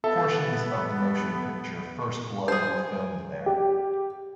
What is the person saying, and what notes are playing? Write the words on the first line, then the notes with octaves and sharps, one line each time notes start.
Portions of the motion picture "First Blood" were filmed there.
B3 A4 E5 A5
G#4 C5
G4